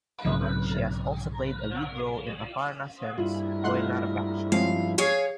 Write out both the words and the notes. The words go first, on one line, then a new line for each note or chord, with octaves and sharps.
She has also played a lead role in Aparna Sen's "Goynar Baksho".
B1 G#2 C#3 F#3
G2 E4 F4
A3 F4 D#5 F#5 C6 F#6
F3 G#3 C4 C#4 F5
G#4 C#5 F5 C#6 C7 C#7